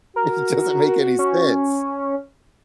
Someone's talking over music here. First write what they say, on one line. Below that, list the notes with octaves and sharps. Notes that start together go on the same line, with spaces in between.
It doesn't make any sense.
F#4 A#4
C#4